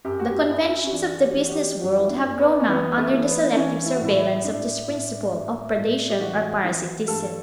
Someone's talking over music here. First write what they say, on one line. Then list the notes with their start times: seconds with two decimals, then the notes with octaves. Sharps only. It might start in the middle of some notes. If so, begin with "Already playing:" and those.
The conventions of the business world have grown up under the selective surveillance of this principle of predation or parasitism.
0.05 F#2 G4
0.20 F#4
0.26 G4
0.49 F#2 E4
0.70 E4
0.84 C#4
0.92 E3 D4
1.14 F#4
1.21 G4
1.36 E3
1.47 F#4
1.52 G4
1.80 F#2 F#4
1.98 E4
2.10 D4
2.25 F#2
2.39 B3
2.60 C#4
2.68 E3 B3
2.98 A3
3.12 E3
3.27 B3
3.50 D4
3.56 E3 C#4
3.86 E4
3.95 F#4
4.00 A2 E4
4.15 E4
4.44 A2 D4
4.88 A2
5.32 A2
5.76 A2
6.10 G4
6.20 E3 F#4
6.64 E3
7.08 G2 A4